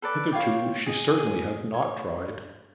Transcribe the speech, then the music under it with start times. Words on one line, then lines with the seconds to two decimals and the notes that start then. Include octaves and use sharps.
Hitherto she certainly had not tried.
0.02 A4 B4 D5
0.33 F4 C#5 G5
0.86 G#4 D#5
1.18 G#4
1.74 C#5